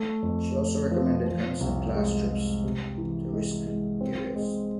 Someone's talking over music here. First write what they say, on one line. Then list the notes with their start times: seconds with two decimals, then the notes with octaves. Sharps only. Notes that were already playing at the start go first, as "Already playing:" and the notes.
She also recommended cancelling class trips to risk areas.
Already playing: A3
0.22 F2
0.57 A3
0.91 F3
1.26 F3
1.61 C2
1.94 G#3
2.29 G#3
2.64 C3
2.98 E3
3.33 G#3
3.66 G#3
4.01 C4
4.36 G#3